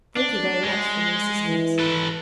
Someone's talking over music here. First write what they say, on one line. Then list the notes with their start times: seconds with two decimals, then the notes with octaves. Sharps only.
Thank you, very much, for your assistance.
0.17 D4
0.63 G#3
1.42 E3
1.79 A4 B4